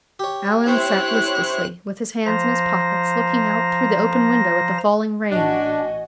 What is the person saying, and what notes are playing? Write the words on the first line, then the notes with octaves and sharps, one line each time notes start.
Allan sat listlessly, with his hands in his pockets, looking out through the open window at the falling rain.
G4 C#5
C4 E4 G4 C5 C#5 F#6
F3 C5 A#5 A#6
A1 D4 F#4 D#5 G#5